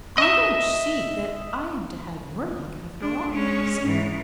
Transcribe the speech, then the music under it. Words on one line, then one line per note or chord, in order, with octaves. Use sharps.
"I don't see that I am to have your luck after all," said he.
D#5 E5
D4
G#3 C#4
G#2 E3